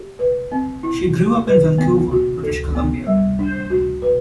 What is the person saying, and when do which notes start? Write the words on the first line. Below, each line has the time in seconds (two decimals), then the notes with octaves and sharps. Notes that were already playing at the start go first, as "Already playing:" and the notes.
She grew up in Vancouver, British Columbia.
Already playing: G4
0.19 B4
0.52 C4
0.83 E4
1.16 G4
1.47 B4
1.78 B3
2.11 F#4
2.43 A4
2.75 B3
3.07 G3
3.39 D4
3.70 F#4
4.02 B4